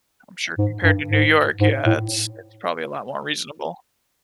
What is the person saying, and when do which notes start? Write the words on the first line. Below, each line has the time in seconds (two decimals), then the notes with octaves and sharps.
I'm sure compared to New York, yeah, it's it's probably a lot more reasonable.
0.58 G#2
0.84 G2
1.09 G#2
1.60 G#2
1.86 A2